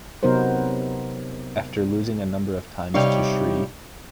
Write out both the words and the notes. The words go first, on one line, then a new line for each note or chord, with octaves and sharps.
After losing a number of times to Shri.
C3 F#3 B3 D#4 A#4 C5
C3 G3 D#4 C#5 F5